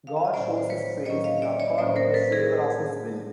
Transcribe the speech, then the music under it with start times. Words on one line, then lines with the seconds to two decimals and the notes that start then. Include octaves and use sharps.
God shows his Face, in accord with the favour of his will.
0.07 F5
0.16 E5
0.25 D#5
0.33 A2 F#3 A#3 C#4 C5 D5
0.58 C5
0.70 B4 C#5
1.05 A2 F#3 A#3 C#4 C#5 D#5
1.24 D#5 F5
1.42 D5 E5
1.60 C#5 D#5
1.78 A2 F#3 A#3 C#4 C5 D5
1.96 A#4 C5
2.14 A4 B4
2.32 G#4 A#4